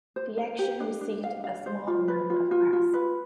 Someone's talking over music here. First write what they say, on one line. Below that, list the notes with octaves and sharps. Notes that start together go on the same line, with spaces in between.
The action received a small amount of press.
C5
F5
G4
D4
D4
F5
F5
C5
F4
B4
F4
F4
F4
B4